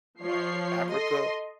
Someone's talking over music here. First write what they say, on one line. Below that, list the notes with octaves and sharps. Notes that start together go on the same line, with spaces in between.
uh, Africa,
F3 C#5 C7
A4 D#5 C6